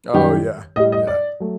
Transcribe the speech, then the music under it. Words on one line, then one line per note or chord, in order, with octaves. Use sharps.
Oh yeah, yeah.
F#2 D#3 G3 G4
A2 G3 D#5
D#5
D5
F#3 A3